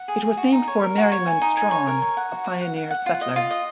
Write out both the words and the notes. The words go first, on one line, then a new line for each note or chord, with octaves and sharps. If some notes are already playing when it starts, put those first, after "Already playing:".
It was named for Merriman Straughn, a pioneer settler.
Already playing: F#5
G#4
G#4
F#4
D#4
C#5
A#4
F#4
C#5
G#5
D#4
G#5
C#5
A#4
C#5
F#5
F#4
F#4
F#5
F#5
F#5
F4
D#5
F4
D#5